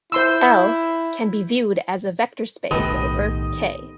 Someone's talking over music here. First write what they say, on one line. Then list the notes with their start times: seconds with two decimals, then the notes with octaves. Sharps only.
"L" can be viewed as a vector space over "K".
0.12 E4 C5 C6 E6
2.71 B1 A2 D#3 B3 G4 A4 B4 D#5